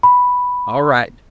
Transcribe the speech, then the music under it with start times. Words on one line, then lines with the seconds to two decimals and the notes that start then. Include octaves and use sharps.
All right.
0.03 B5